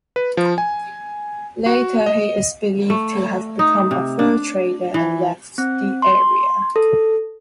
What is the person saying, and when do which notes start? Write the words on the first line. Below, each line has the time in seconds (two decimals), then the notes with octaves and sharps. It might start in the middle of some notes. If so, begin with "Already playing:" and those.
Later, he is believed to have become a fur trader and left the area.
0.16 B4
0.37 F3
0.58 G#5
1.66 F#4
2.06 D#5
2.90 A3
3.59 D#4
3.91 C3
4.19 D4
4.94 E3
5.58 C4
6.02 C6
6.76 A4